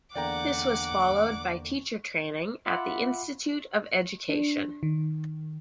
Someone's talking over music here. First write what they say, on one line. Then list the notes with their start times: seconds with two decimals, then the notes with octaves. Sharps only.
This was followed by teacher training at the Institute of Education.
0.15 E2 D3 A#3 D5 F#5 G5 A#5 D6
2.66 F4 E5 F#5 B5 C6 D6
4.29 D4
4.83 D#3